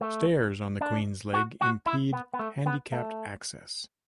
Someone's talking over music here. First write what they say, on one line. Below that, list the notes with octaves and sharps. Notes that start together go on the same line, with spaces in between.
Stairs on the Queens leg impede handicapped access.
A3
D4
F#4
F#4
E4
B3
B3
A3
B3
A3